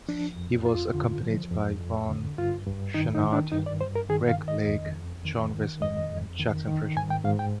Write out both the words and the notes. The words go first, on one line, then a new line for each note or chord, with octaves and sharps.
He was accompanied by Yvon Chouinard, Reg Lake, John Wasserman and Jackson Frischman.
F3 D4
F2
F2 F4
D3
F3
F2
F2
D3
G2 F4
G2
D#3 D#4
D#4
D#3
D4
G2 D#4
D5
G2 C5
A#4
D#3 G#4
F5
D#3
D#5
F2
F2
D#3
D#3
F2 D#5
F2
D#3
D#3
G#2 G#5
G5
G#2 F5
G5